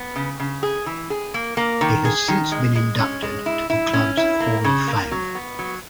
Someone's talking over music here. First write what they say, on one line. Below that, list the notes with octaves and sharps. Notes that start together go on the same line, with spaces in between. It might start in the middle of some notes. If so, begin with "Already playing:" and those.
He has since been inducted to the club's Hall of Fame.
Already playing: B3
C#3
C#3
G#4
E3
G#4
A#3
A#3
D#3
G#4
D#3
G#3
G#3
C#4
G#3
E4
E4
C#4
E4
A#3
C#3
A#3
F#3
B3
F#3